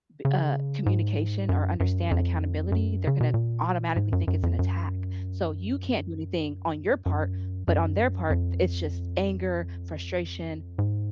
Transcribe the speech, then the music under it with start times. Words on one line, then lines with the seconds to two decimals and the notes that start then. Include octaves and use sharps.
b uh, communication or understand accountability, they're gonna automatically think it's an attack. So, you can't do anything on your part, but on their part it's just anger, frustration,
0.25 C#3
0.86 G#2
1.49 F#2
1.80 F#2
2.11 F2
2.72 F#2
3.07 C#3
3.20 B2
3.34 A#2
3.96 G#2
4.12 F#2
4.27 F#2
4.43 F2
4.59 F#2
7.06 F#2
7.68 F#2
8.30 F2
10.78 G#2